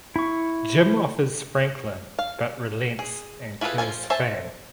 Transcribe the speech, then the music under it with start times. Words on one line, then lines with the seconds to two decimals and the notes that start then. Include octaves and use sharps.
Jim offers Franklyn but relents and kills Fang.
0.16 E4 C#6
2.19 F5
2.99 G#4
3.61 E4 F4 G#4 A4 B4
3.78 F3 E4 F4 G#5
4.10 C5 E5 G#5 A5